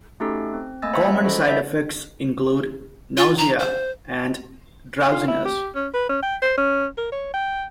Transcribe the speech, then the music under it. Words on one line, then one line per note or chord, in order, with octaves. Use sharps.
Common side effects include nausea and drowsiness.
A3 C#4 D#4 F#4 G4 A4
C4
A3 A#3 D#5 G#5 E6 A6
C5 C#5 E5 F#5 A#5 B5
C#4 F#4 A4 C5 D#5 B5
D5 E5 B5 G6
F4
A#5
C5
F4
E4
G4
C#4
B4
C#4
G5
C5
C#4
A#4
C#5
G5